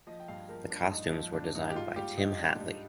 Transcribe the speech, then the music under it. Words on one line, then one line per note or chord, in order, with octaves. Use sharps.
The Costumes were designed by Tim Hatley.
F3 D#5
G5
G2 F5
F3 A#4
F3 D4
G2 D#4
F3
G2 D4
G2 D#4
G4
G#2 F4
G3 G4
G3 D#4
G#2 D4
G3 D#4